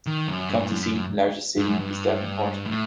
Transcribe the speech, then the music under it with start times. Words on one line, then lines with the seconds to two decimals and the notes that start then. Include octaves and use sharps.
The county seat and largest city is Davenport.
0.07 D#3
0.28 F#2
0.49 G2
0.71 F#2
1.58 G2
1.68 F#2
1.79 G2
2.65 A2